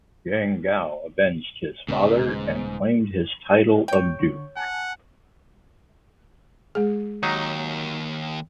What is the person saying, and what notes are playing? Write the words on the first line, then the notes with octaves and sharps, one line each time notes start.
Yang Guo avenged his father and claimed his title of duke.
D#1 G#2 C#3 B3
C#5 G5
D3 C#6
F#5 G#5 A5
G#3 G#4
D#2 F#3 D#4